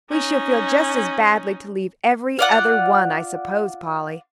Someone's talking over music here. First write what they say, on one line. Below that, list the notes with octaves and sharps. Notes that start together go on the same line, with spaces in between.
"We shall feel just as badly to leave every other one, I suppose, Polly."
C#4 D#4
F4 D5 F#5